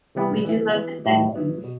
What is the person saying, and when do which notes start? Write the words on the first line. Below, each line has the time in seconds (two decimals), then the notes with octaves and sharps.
we do love to study things.
0.15 C3 E3 G3 B3 E4
0.45 E3 B3 E4
0.75 E3 B3 E4
1.05 A2 G3 D#4
1.35 F#3 B3 E4
1.64 B2